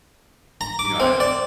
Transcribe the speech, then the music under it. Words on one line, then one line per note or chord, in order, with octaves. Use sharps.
you know, I
A#5
D6
C4
D5